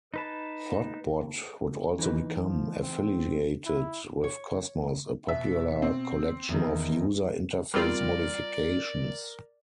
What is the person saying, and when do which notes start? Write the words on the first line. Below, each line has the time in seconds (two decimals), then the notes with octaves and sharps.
Thottbot would also become affiliated with Cosmos, a popular collection of user-interface modifications.
0.14 D#4 B4 A5
1.99 E3 D#4 B4
2.44 F3
2.82 C4
3.66 E4
4.24 C#5
5.29 B2 E5
5.82 C4
6.49 E2 D#3
7.74 G3 C4 F4 A#4 D5 F6